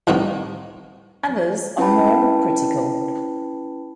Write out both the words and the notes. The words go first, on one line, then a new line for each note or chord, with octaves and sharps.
Others are more critical.
C2 A2 D#3 A#3 B3
C#4 E4 B4 G5 A5 B5